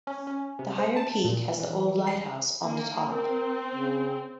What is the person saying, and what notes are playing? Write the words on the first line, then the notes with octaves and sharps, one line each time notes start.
The higher peak has the old lighthouse on the top.
C#4
C#4
C3
C5
A5
A#2
E3
C7
A#3
C4 A#4
C#3